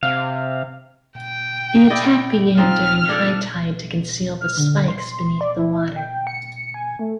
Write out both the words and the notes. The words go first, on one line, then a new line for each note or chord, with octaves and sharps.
The attack began during high tide to conceal the spikes beneath the water.
C3 F5
G5
E4 D5 D#5
F3 C4 D#4 F6
D4 A4 D5
F6
D3
C6
D5
E4
G5
C#7
G#5
A3